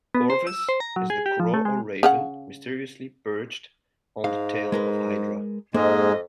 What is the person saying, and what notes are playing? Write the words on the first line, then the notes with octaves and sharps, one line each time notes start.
Corvus is the Crow or Raven mysteriously perched on the tail of Hydra.
B3
C5
E6
C5
A#5
F#3
G#4
G4
F3
A3
G#3
C#3 F5 F#5
G#2 F5
G#3 A#4 B4
F2 G#2 G#3 A#3 D#5